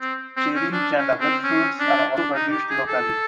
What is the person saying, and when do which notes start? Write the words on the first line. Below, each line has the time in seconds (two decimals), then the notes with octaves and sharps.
Cherries and other fruits are also produced locally.
0.01 C4
0.37 C4
0.55 C#4
0.73 D4
0.97 C#4
1.20 C4
1.44 C#4
1.80 D4
2.16 D4
2.34 D#4
2.52 G4
2.70 G#4
2.88 A4